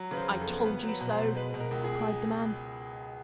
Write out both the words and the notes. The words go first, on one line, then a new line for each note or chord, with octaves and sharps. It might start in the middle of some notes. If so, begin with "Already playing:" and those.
"I told you so," cried the man.
Already playing: F#3
C#3 B4
C5
F2
A4
B3
B3 B4
F#3
B4
B2
C5
B2
G#3 B4
B2
A#4
C#2
G#4